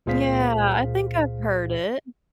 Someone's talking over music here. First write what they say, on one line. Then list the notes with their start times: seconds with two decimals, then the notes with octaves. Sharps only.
Yeah, I think I've heard it.
0.06 C#2 A#2 G#4 C5 F5 B6